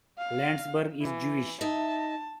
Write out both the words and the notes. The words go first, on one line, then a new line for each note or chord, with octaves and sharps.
Landsberg is Jewish.
F5
E3
D#4 D#5 E5 A5